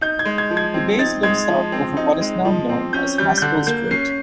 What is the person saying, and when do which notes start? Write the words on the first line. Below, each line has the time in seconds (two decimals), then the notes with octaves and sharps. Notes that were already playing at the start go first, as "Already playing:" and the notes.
The base looks out over what is now known as Haskell Strait.
0.01 D#4 G6
0.19 G#6
0.25 G#3
0.38 G#6
0.50 F3
0.57 G#6
0.74 C4
0.99 D#4 A6
1.23 G#3 G#6
1.48 F3
1.72 C4
1.97 D#4
2.21 G#3
2.45 F3
2.69 C4
2.93 C#4 G6
3.18 G3 G6
3.38 G6
3.42 D3 F#6
3.67 A#3 G6
3.91 C#4 C7